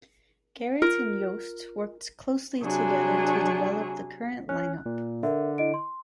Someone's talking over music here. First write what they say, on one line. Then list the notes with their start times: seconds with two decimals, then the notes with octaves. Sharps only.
Garrett and Yost worked closely together to develop the current lineup.
0.82 F4 A#4
2.62 C3 F#3 D4 G#4
4.49 C#4 F#6
4.86 A#2
5.23 D3 A#4 E5
5.58 E4 D#5 D7
5.74 C6